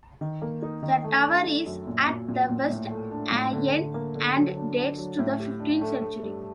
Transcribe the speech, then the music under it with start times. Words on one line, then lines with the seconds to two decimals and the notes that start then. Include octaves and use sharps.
The tower is at the west end and dates to the fifteenth century.
0.21 D#3
0.42 A#3
0.62 D#4
0.83 D#3
1.04 A3
1.25 D4
1.45 A3
1.66 F#2
1.87 A#2
2.08 A#2
2.28 A#2
2.49 A#2
2.70 A2
2.90 A3
3.11 D4
3.32 A2
3.53 D3
3.74 D3
3.94 A#3
4.15 D3
4.36 F#3
4.57 D4
4.78 D4
4.98 F#3
5.19 A2
5.39 G4
5.60 D4
5.81 A3
6.02 A3
6.23 G2